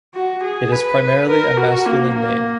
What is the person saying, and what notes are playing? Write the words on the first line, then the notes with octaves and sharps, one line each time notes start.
It is primarily a masculine name.
F#4
G#4
B4
A#4
F#4
A#3
A#3